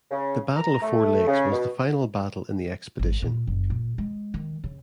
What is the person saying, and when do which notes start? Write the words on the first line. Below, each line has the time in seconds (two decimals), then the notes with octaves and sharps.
The Battle of Four Lakes was the final battle in the expedition.
0.11 C#3
0.56 A#5
0.81 A3
1.27 C#3
1.52 B2
2.99 G#1
3.22 A#2
3.47 F#1
3.70 A#2
3.98 G#3
4.34 D#3
4.64 C#3